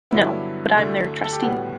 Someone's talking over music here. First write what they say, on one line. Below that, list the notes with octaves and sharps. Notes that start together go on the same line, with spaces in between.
No, but I'm their trustee.
G2 D3 F#3 B3 E4
D2 D3 A3
A4
G4
A2 G3 B3 F#4